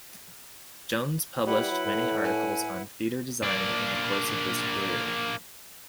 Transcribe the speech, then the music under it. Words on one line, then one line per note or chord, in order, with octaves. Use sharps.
Jones published many articles on theatre design in the course of his career.
G3 E4 B4 F#5 B5
F#3
A2
G#5
A#3 D4